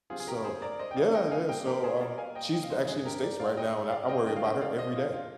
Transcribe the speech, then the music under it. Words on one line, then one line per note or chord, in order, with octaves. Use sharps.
So yeah, yeah, so, um, she's actually in the States right now, and I I worry about her every day.
D3 G3 C4 F4 G#4
G#4
G4 A#4
G#4 C5
A#4 D5
C5 D#5
G5
D5 F5
D#5 G5
F5 G#5
A#2 G3 A#3 D4 D#5 G5
G4 A#4
G#4 C5
A#4 D5
F5 G#5
D#5 G5
D#5 G5
F5
C5 D#5
G2 D3 G3 G#4 C5
G4 A#4
A#4 D5
D5 F5
D#5 G5
D5 F5
D#5 G5
D3 G3 D4 D#5 G5
F5
D#5 G5
D5 F5
C5 D#5
F4
F4